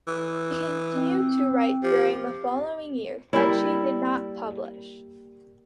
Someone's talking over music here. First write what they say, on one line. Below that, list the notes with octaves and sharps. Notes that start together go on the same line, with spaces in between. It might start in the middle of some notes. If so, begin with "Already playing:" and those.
She continued to write during the following years, but she did not publish.
E3
C4
F3 G4
G3 A#3 E4